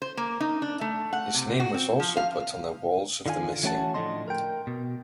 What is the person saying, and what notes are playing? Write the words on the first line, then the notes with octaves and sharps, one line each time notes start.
His name was also put on the Walls of the Missing.
C5
A#3
D#4
D4
A3
F#5
C3
F#4
C4
F3
F5
D3 D#3 F4 E5 G#5
E3 A3 C#4 F#4 F#5 A5
A2 D3 F3 C4 D#5 C6
A#4 G5
B2